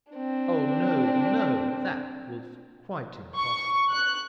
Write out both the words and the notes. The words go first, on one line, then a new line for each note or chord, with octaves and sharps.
Oh, no, no; that was quite impossible.
C4 D4
C#6
F#6